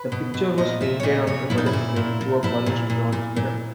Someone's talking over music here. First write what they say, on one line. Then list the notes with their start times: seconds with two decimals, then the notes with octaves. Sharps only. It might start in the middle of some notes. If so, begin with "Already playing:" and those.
The picture was painted on the wooden frame to a polished bronze mirror.
Already playing: B4
0.12 B2
0.34 B2
0.58 A#2 D#5
0.81 A#2 E5
1.00 C#5
1.03 A#2 D#5
1.27 A#2 C#5
1.50 A#2 E4
1.58 D#4
1.66 E4
1.73 A#2
1.96 A#2
2.21 A#2
2.43 A#2 E4
2.66 A#2
2.90 A#2
3.12 A#2
3.36 A#2